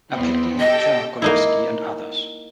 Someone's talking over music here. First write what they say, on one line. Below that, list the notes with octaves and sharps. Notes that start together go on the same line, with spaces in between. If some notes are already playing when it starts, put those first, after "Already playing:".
"Napitki iz Chernogolovki", and others.
E2 B3 C4
G4 A4 D#5 G5
A#3 D#4 E4